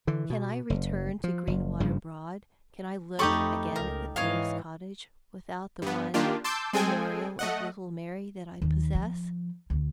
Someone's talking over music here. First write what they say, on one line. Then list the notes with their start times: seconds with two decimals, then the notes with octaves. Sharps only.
Can I return to "Greenwater Broad," can I look again at the bailiff's cottage, without the one memorial of little Mary that I possess?
0.07 D3 E3
0.30 B2
0.70 F#1
1.24 F3
1.47 F#1
1.80 F#1 G2 C#3 F3
3.19 F2 A3 D#4 G4 A4 B5 C#6 D#6
3.76 C#2 A#4
4.16 G#2 E3 C#5 D#5 F5
5.82 G2 B3
6.14 D#3 A#3 D4 F4 G4
6.44 A5 C6 D6 E6 G6
6.73 G#3 C4 G#4 A4 G5 G#5
7.39 A3 D#5 F#5
8.62 D#2
8.95 F3
9.70 D2